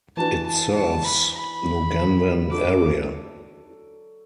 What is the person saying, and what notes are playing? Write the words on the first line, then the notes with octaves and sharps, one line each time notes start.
It serves Nauganwan area.
E3 D4 F#4 B4 A5
A5
A5
B5
B5
F#3 D4 F#4 A4 D6